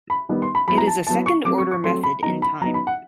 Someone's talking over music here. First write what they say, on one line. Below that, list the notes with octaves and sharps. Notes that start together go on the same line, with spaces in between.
It is a second-order method in time.
B5
D#3 G3 B3 D#4
C6
B5
F#3 B3 E4 B5
A#5
A5
F#3 B3 E4 A5
C#6
F#3 A3 C4 D6
C#6
C#6
F#3 A3 C4 C6
B5
F#3 B3 D#4 A#5
B5
F#3 B3 D#4 A#5
B5
F#5